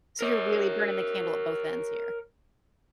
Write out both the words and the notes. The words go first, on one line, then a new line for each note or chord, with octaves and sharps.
so you're really burning the candle at both ends here.
A#4 C#5